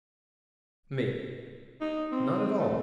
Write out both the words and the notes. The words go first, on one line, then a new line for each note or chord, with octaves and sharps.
ME: Not at all.
D#4
C4
A3